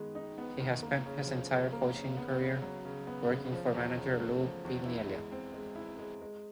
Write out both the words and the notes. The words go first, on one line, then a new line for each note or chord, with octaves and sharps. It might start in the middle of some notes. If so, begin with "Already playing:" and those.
He has spent his entire coaching career working for manager Lou Piniella.
Already playing: D#3 G#3 B3
D#4
B3
D#3
A#3
C#3
F3
C#3
A#3
C#3
B3
C#3
F#3
C#3
B3
C#3
F3
E2
C#3
A3
F3
E2
E4
G#3
C4
G#3
E4
G#3
G#3